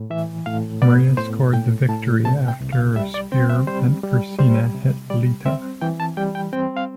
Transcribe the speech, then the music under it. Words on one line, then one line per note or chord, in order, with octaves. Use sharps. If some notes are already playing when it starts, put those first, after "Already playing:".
Maria scored the victory after a spear meant for Cena hit Lita.
Already playing: A2
E3 E5
A2 F5
B3 D5
A2 C5
A2 G5
A2 A5
C3 A5
G5
C2
F5
G3 E5
D5
C4 G5
E5
G3 C5
G3
G3 C5
C3
G3 D5
C4 E5
E3 G5
A5
G3 G5
G5
C4 G5
F5